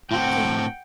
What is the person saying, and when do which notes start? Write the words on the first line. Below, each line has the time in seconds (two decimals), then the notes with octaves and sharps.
"What then?"
0.11 A2 C4 F#5 G5